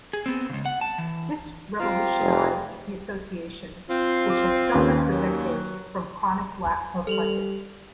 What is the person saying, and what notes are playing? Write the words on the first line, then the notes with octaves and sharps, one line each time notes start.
This revolutionized the associations which had suffered for decades from chronic lack of funding.
G#4
B3 C4
C#2 C#3
F#5
A5
E3
F3 C4 F4 G4 F5 A#5
F1 G4 G#4
C4 F4
D6
D#2 C#4 B4
F#3
G3 A4 F7 F#7